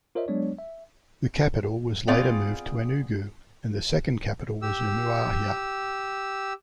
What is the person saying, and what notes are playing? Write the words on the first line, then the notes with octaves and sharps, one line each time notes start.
The capital was later moved to Enugu and the second capital was Umuahia.
F4 A#4 C5 C#5 D#5 E5
F#3 G#3 B3 D4 C#5 D5
E5
B3 C4 F4 G#4 D5 F5
G4 E6